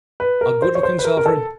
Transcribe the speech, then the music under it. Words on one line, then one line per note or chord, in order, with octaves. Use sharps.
A goodlooking sovereign.
B4
A#4
C5
C#5
C5
B4
A#4
A#4
A4